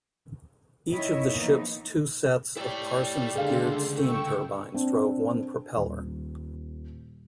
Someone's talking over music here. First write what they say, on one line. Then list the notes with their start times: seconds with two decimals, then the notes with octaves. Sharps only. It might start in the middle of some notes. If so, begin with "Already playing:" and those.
Each of the ship's two sets of Parsons geared steam turbines drove one propeller.
0.90 D#3 C#4 E4 C#5 D#5 E5
1.31 E3 F3 A#3 B3 D#4
2.57 G3 E4 C#5
3.35 D2 C#3 D4 G#4 A4 F5 C6
3.98 A4 G5 C#6 E6
4.74 C4 D4
5.76 D#1